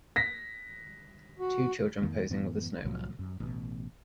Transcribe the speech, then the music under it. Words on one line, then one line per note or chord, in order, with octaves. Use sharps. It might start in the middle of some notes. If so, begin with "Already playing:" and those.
Two children posing with a snowman.
A#6 B6
F#4
F2 D#3 A#3
F#2 A2 E3 B3
C2 A2 F3 F#3
F#2
A1 B2